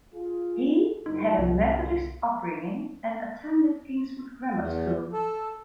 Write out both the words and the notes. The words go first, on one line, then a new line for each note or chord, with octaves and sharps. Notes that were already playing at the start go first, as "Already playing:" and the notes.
He had a Methodist upbringing and attended Kingswood Grammar School.
F4 G#4
G1 D#2 D#4
C2
E2
A4